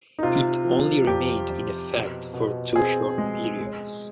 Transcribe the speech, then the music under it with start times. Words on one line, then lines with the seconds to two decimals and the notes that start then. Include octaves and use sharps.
It only remained in effect for two short periods.
0.19 D#4
0.23 C3 F4
0.65 F3
1.07 F2 G4
1.50 F2
1.91 B2
2.34 B2
2.76 C4 G#4
3.18 G#3
3.60 G#3